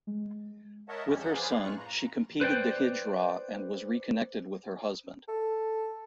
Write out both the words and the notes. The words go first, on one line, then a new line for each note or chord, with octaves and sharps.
With her son, she competed the hijra and was reconnected with her husband.
G#3
A#4 C#5 D#5 E5 F#5 A5
F2 G3 C#4 G4
F2 F3 F#3 G#4 F#5 G6
G#4 B4 C5 D5 F5 G#5
F#2 A2 F4 C#6 F#6
A#5
B4 C5 D5 G5
A4